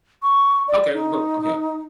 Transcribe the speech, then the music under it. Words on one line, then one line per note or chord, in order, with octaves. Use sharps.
okay, we'll go, okay,
C#6
D5
D#4